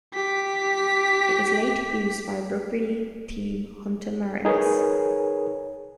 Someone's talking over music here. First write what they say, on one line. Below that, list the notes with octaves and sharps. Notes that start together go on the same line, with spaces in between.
It was later used by rugby league team Hunter Mariners.
G4 B6
D#4 G#4 A#4 B4 C#5